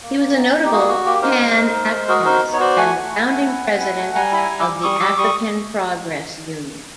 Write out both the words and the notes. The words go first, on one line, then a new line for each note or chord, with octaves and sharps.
He was a notable Pan-Africanist and the founding president of the African Progress Union.
A#3
A#3
D#4
D#4
G4
A#3 F#4 G#4
F#4
A#3 G4
D#4 A#4 C5
G#3
D#4
G#3
G#3
F#4 G#4 A#4
D#4 A#4 C5
B3
C#5
F#4 C5 D5
A3 F#5 G#5
A3
E4
A3
E4
C4
E4
A3
G3 G#5 A#5
E4 B5
G#5 A#5
G3
D6 E6
G3
G3 C#6 D#6
G3 D6 E6
G3 C#6 D#6